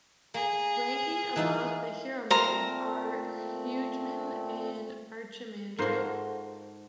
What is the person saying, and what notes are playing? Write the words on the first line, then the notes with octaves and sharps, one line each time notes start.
Ranking above a hieromonk are a hegumen and an archimandrite.
A#3 G#4
E3 D#4 F4
A#2 A3 C4 A#4 C5 A#5
G#2 F4 F#4 A4 A#4 C5